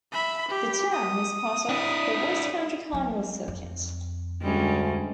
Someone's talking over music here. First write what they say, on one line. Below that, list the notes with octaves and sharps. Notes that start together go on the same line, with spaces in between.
The town is part of the West Country Carnival circuit.
E5 B5
G4
D#6
D4 E4
F#3 C4
F2
D2 G3 G#3 C#4